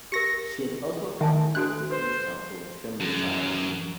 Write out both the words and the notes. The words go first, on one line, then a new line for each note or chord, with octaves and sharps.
She has also appeared as defence counsel in criminal trials.
G4 A#4 A#6 C#7
D#3 E5 G#5 A5
D4 F#4 A4 F#6
B4 C5
F#2